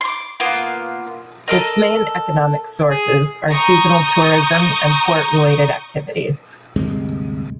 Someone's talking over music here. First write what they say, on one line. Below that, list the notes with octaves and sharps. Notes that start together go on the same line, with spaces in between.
Its main economic sources are seasonal tourism and port related activities.
C6 D6
A#3 B3 F4
A4 A#4 D#5
G#4
A#5 C#6 D#6 G6
D2 G2 C3 G#3